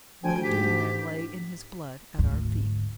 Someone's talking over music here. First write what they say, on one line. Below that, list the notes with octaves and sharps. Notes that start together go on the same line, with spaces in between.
But the duty man lay in his blood at our feet.
D2 F3 G5 G#5
G#2 G4 B6
D2 G#2